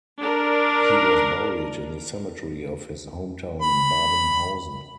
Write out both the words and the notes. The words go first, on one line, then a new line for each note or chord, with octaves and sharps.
He was buried in the cemetery of his hometown Babenhausen.
D4 A#4
B5